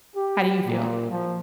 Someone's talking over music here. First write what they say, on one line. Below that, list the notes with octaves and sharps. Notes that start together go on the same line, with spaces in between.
How do you feel?
G4
A#2
F3